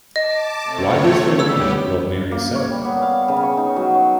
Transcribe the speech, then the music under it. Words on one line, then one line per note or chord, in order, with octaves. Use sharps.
Why does the lamb love Mary so?
D#5 A5 D6
C3 A3 C#5
G3 B3 G4 C#5 E6
A#3
C#5
G3
B3
F5
C#3
C#5
D#4
F#3
C#5